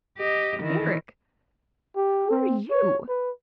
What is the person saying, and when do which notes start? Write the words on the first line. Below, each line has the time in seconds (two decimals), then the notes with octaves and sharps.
"Eric,--who are you?"
0.18 G4 D#5
0.60 D#3 E3
1.96 G4
2.31 C4
2.71 C#5
3.08 B4